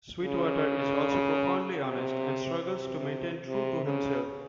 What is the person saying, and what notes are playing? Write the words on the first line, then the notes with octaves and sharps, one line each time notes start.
Sweetwater is also profoundly honest and struggles to maintain true to himself.
C#3
C3
C3
C3
C#3